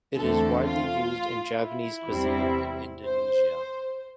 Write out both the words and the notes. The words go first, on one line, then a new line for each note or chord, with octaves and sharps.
It is widely used in Javanese cuisine in Indonesia.
E2 D3 A3 C4 A4
F4
E4
E2 C3 G3 C4
C5